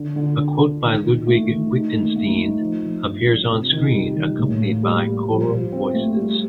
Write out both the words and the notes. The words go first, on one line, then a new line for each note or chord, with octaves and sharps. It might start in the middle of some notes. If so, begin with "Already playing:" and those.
A quote by Ludwig Wittgenstein appears onscreen accompanied by choral voices.
Already playing: D3
D3
D4
D4
D#3
D#3
A3
D#3
D#4
A3
A3
D#4
F3
F3
G2
F3
C3
D#3
G3
D#3
A2
A#3
G3
G3
F3
F3
C4
A3
G3